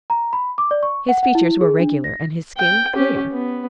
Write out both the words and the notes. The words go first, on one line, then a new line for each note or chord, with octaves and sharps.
His features were regular and his skin clear.
A#5
B5
D6
D5
C#6
F#5
F#5
E4
G#4
D4
A#6
G5
C#4 G4
B3